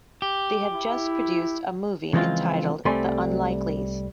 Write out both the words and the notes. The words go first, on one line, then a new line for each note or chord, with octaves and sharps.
They have just produced a movie entitled The Unlikeleys.
G4
E4
C#3 E3 F3 G#3 C4 F4
C2 G3 A3 C4 G#5 C6